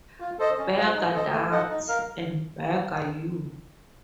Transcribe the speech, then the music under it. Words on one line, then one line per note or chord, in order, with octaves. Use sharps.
Bugger that and bugger you.
F4
A4 C5 D#5
C#4
F4 C5
D#4
A4 C5 D#5
A3
D#4 A4 D#5 F#5
D#4
A#4 F5